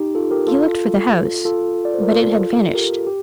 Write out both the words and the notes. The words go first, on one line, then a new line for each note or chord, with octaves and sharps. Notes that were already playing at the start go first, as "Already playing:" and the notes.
He looked for the house, but it had vanished.
Already playing: D#4 G4
F4 A4
G4 A#4
F4 A4
F4 A4
D5
C5
A#4
F4 A4
G4 A#4
G4